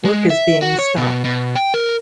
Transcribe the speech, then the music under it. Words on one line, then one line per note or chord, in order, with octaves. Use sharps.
Work is being stopped.
G#3
E5
F#4
C#5
B2
B2
G5
A#4